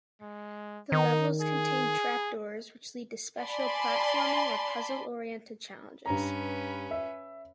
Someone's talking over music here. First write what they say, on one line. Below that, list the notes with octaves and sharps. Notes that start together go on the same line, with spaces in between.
The levels contain trapdoors, which lead to special platforming or puzzle-oriented challenges.
G#3
D#3 D#4
G#4
D5 G#5 A5 B5 C6
G2 C#4 B4 A#5
E5